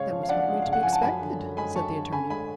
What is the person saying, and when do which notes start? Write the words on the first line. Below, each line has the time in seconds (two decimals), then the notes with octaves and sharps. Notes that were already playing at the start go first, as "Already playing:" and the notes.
"That was hardly to be expected," said the attorney.
Already playing: C#3 G#3 C#5 F5
0.11 F3
0.23 F5
0.29 D4 D5 F#5
0.48 G#3
0.62 C#3 F5
0.73 F#5
0.83 F3 G#5
0.93 A5
1.02 F#2 G#5 B5
1.21 D3
1.39 F#2
1.57 G#3 G#5 B5
1.76 F#2 A5 C#6
1.94 D3
2.13 D3 G#5 B5
2.30 G#3 G#5 B5